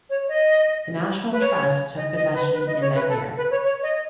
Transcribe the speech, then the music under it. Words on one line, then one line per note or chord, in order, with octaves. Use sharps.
The National Trust took possession in that year.
C#5
D#5
B4
C#5
D#5
D#5
B4
B4
D#5
C#5
B4
A4
B4
C#5
C#5
D#5